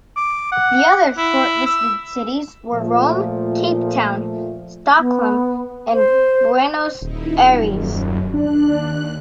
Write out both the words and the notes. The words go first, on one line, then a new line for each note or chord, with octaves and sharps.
The other shortlisted cities were Rome, Cape Town, Stockholm and Buenos Aires.
D6
F#5
E4
E6
A#2 F3 A3
B3
C5
D#1 D#4 E4
F#2
D#2 D4 F#6